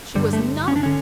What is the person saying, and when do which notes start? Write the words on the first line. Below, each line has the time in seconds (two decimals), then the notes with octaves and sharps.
She was numb!
0.15 G2 D3 G3
0.33 A3
0.68 C#4
0.76 D4
0.83 D3 C#4